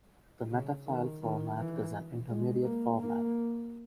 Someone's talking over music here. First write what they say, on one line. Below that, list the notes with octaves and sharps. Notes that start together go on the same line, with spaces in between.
The metafile format is an intermediate format.
C#3
D#3
D#3
E3
G#3
A#3
A#3